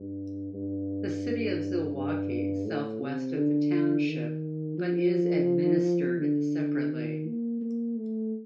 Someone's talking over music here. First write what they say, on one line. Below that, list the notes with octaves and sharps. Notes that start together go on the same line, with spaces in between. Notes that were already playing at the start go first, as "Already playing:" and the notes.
The city of Zilwaukee is southwest of the township, but is administered separately.
Already playing: G2
G2
G2
A2
C3
D3
D#3
F3
D3
D#3
A#3
A#3
A3